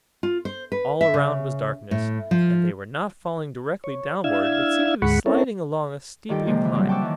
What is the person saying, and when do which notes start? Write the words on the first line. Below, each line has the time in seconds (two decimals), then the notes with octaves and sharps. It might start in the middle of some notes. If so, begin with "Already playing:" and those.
All around was darkness, and they were not falling directly downward but seemed to be sliding along a steep incline.
0.23 F4
0.45 C5
0.72 B4
1.01 E5
1.14 C#3
1.91 A2
2.31 F3
3.84 C#5
4.24 D4 E4 F5 E6 G#6
5.02 D2 G#2 G#3 F#5 B5 C#6
5.26 C4 C#4 E4 A4 A#4 C#5
6.29 G2 D#3 F4 G4 A4 G5
6.45 C3 F3 G#3 A#3 C4 G4
6.61 D3 E3
6.74 C#3 F#3 G3 C4 F#4
6.89 G5 A5 C#6 D6 E6 F#6
7.01 D#3 E3